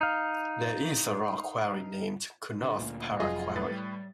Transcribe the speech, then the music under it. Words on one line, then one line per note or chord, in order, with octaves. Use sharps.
There is a rock quarry named "Kunnoth Para Quarry".
D#4 F5
D3
D2 A#2
F1 F2 F#3 F4 G#4 D#5
A2 B4 A6
G3